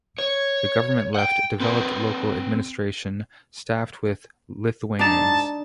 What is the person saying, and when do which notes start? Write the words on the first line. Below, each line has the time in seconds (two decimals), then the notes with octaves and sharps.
The government left developed local administration, staffed with Lithuanians.
0.18 C#5
1.14 F#5 G5
1.60 C4 B4 G#5
4.99 G#2 D4 D#4 G#4 A5